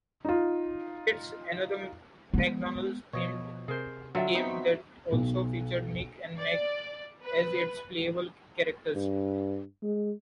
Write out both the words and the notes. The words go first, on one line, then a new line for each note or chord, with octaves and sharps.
Kids, another McDonald's-themed game that also featured Mick and Mack as its playable characters.
D#4 F4
G#3 B3
B2 F3 C#5 D#5
C3 G#4 A#4 C5
D3 F#3 F4 E5 G5
B3 C4 D#4 C6 C#6 B6
B1
D5
B4
G2
G#3